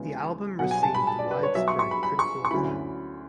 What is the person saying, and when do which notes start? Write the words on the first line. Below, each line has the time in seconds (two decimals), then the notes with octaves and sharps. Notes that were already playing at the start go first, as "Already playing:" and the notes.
The album received widespread critical acclaim.
Already playing: D2 C#3 E3 G#3 B3
0.59 B1 B2 F#3 F#5
0.71 G#5
0.83 A5
0.95 B5
1.07 A5
1.19 D5
1.31 B4
1.43 C#5
1.55 B1 B2 F#3 B3 E5
1.68 C#6
1.79 C#6
1.91 B5
2.03 B5
2.19 C#6
2.45 C#6
2.51 D2 D3 F#3 C#4 E4 B5